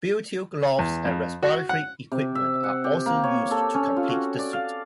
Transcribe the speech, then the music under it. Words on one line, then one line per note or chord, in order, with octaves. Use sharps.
Butyl gloves and respiratory equipment are also used to complete the suit.
E2
F2
F#4
F#5
C3
E5
F#5
G4
A#3
C#5
A4
C#4
F4
F#4
D5
F5